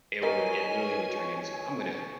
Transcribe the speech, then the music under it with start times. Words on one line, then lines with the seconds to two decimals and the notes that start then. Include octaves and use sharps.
it would it, literally, would turn into "I'm gonna
0.23 A#4 B4 C#5 D#5 G#5 C#6